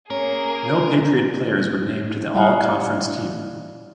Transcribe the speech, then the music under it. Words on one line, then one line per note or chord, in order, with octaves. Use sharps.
No Patriot players were named to the all conference team.
A#3 C#4 G#4 A#4
G3 E4 D#5 F5 F#5